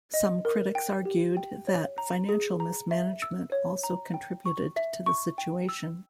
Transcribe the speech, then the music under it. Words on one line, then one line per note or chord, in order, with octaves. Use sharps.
Some critics argued that financial mismanagement also contributed to the situation.
D#5
A#4
G5
G4
G5
C#5
A#5
G#4
A#5
E5
E6
C#5
A#5
G5
C#6
E5
C#6
G5
E6